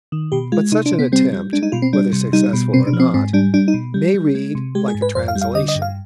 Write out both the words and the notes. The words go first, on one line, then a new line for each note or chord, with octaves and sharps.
But such an attempt, whether successful or not, may read like a translation.
D#3
B2 G4
G#3 F4
C3 D#4
D4
C3
B3
G3 C4
G3
G#3 D4
D#4
B2 F4
C4
G3 D4
C3
G3 D#4
B2
C3 C4
D4
F3
C4
G#2 C4
G3 D4
G3 D4
D#4
B2
G3
G3
G#3
C3
G#3 G4
G#4
G#2
B4
F2 C5
F5
G3
F5
D3 D#5
D#5
G2
F5